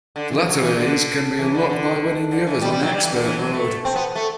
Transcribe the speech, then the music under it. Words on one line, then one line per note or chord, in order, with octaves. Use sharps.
The latter of these can be unlocked by winning the others on "Expert" mode.
D3
E3
F#3
E3
D3
E3
D3
D3
D3
E3
G3
G3
F#3
G3
E3
D3
E3
F#3
A3
C4
B3
A3